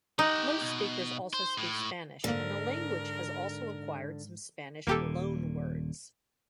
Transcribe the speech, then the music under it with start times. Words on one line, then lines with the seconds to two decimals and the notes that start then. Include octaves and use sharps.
Most speakers also speak Spanish, and the language has also acquired some Spanish loanwords.
0.19 D#4 G4 F#5
0.61 B2
1.33 C5
1.58 A2
2.24 A#1 G#2 D3 A#3 A#4
4.87 D#1 A#2 A#3 G4 A4